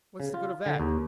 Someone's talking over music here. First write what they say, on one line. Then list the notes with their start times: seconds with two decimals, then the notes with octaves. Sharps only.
What is the good of that?
0.20 C#3
0.34 F4
0.66 D3
0.80 D#2